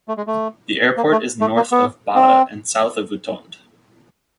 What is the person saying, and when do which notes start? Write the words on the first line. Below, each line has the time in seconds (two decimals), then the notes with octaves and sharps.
The airport is north of Bata and south of Utonde.
0.08 A3
0.17 G#3
0.27 A3
0.97 A#3
1.12 A3
1.41 A3
1.56 A#3
1.72 B3
2.15 C4